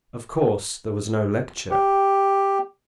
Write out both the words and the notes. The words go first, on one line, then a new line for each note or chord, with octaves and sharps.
Of course there was no lecture.
G4